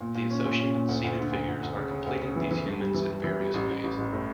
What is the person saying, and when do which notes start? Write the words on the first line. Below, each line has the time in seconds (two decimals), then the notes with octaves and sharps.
The associated seated figures are completing these humans in various ways.
0.01 A#2
0.15 A#2
0.30 C#4
0.45 A#2
0.59 C#4
0.75 A#2
0.88 D2
1.04 D2
1.19 D3
1.33 D2
1.48 D2
1.63 D2
1.77 C#3
1.91 C#3
2.06 D2
2.22 C#3
2.36 E3
2.51 E3
2.65 G2
2.79 G3
2.94 E3
3.09 G3
3.24 E3
3.39 G3
3.54 A1
3.69 A1
3.83 A1
3.98 A1
4.13 A2